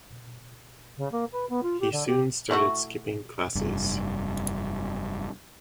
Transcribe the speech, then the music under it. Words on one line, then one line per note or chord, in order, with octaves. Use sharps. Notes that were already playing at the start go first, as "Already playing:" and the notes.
He soon started skipping classes.
C#3
A#3
B4
B3
F4
G4
D3
G4
A3 E4 F#4
F1 G2